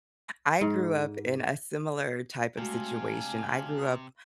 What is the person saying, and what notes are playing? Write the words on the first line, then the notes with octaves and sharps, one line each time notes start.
I grew up in a similar type of situation. I grew up
G#2
C3 G#3 A3 D4 F#4 F5 G#5